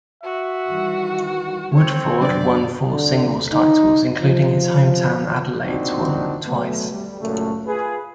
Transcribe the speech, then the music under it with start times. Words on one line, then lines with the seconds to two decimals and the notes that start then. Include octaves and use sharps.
Woodforde won four singles titles, including his hometown Adelaide tournament twice.
0.24 F#4 E5
0.69 D#3 E3 G3
1.75 C4 C#5
2.21 F#2 B2 F#3 D4 D5
2.92 D3
3.53 D#4
4.22 F3
5.63 G#1 A#2 C4 D4 D#4 F#4
6.46 F#3 A3 B3
6.90 G3
7.20 C#2 F#2 A#2 A3
7.67 F4 G#4 B4